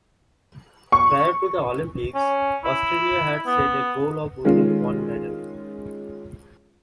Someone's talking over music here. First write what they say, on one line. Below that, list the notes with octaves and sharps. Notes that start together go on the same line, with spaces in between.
Prior to the Olympics, Australia had set a goal of winning one medal.
C#6
C#4
E4
B3
D#3 G#3 C#4 F4